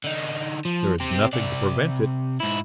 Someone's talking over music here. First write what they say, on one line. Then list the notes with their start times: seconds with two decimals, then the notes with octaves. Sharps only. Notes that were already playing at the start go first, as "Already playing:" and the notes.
"There is nothing to prevent it."
0.04 D3 D#4
0.65 F3
1.00 C4 G4
1.33 C3 D5
2.40 G#2 E4